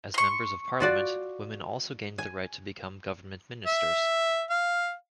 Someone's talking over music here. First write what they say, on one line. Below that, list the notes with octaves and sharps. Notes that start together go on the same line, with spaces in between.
As Members of Parliament, women also gained the right to become government ministers.
C6 C#6
F4 F#4 D5
G#5
E5
F5